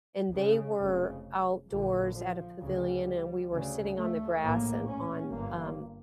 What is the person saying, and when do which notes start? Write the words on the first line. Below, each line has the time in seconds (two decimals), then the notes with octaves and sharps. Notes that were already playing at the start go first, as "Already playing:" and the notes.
and they were outdoors at a pavilion, and we were sitting on the grass and on, um,
0.33 C#3
0.79 F1 F2 C#3
1.70 A#1 A#2 D3
2.14 F3
2.59 D2 C#3 G3
3.50 D2 C#3
3.95 A3
4.40 A#1 A2 A#3
4.86 C#4
5.31 G1 G2 A#3